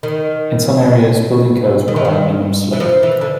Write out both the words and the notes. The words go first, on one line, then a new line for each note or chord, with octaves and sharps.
In some areas building codes require a minimum slope.
D#3
D#3
E3
D#3
E3
F3
E3
D3